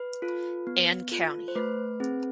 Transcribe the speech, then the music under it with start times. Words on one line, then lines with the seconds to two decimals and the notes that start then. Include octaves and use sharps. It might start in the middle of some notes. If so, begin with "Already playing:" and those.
Anne County.
Already playing: B4
0.22 F4 A4
0.67 B3
1.12 F4 A4
1.48 C5
1.55 A3 B4
2.00 C4 G#4